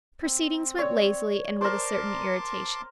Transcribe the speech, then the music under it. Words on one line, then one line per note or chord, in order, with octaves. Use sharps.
The proceedings went lazily and with a certain irritation.
C4
C#5 D5
A#4 C5 A5 C6 D6